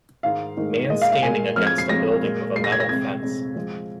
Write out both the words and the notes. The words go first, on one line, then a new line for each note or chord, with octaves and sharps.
Man standing against a building with a metal fence.
G#2 D#3 G#3 F5
G#2 D#3 G#3
A#2 G#3 D#5
F5
F5
A#2 G#3 G#5
F2 F3 G#3 F6
G#6
C7
F2 F3 G#3 A#6
A#2 G#3
A#2 G#3 A#6 C7
G#6
A#6
F2 C3 G#3 G#6
F2 C3 G#3
F2 F3 G#3